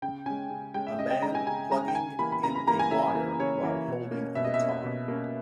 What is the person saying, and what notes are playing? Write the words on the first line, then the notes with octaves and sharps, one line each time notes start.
A man plugging in a wire while holding a guitar.
C#3 G5
G#3 C#4 G#5
C#3
G#3 C#4 G5
E5
C#3 D#5
G5
G#3 C#4 A#5
G#5
C#3 G#5
G#3 C#4 A#5
G5
C#3 G#5
E3 A#3 B5
B5
C#3 A#5
B5
E3 A#3 A#5
G#5
C#3 E5
E3 A#3
C#3 C#5
E3 A#3
B2
A#3 C#4
B2 E5
D#5
E5
A#3 C#4
B2
A#3 C#4